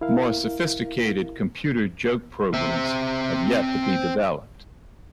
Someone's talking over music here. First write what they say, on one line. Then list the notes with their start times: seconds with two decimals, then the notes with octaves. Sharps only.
More sophisticated computer joke programs have yet to be developed.
0.01 E4 A#4 F5
2.54 C4 E5